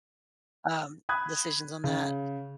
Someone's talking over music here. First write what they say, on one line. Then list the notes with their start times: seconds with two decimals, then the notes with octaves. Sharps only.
um, decisions on that,
1.09 B5 D#6 F#6 G#6
1.84 C#3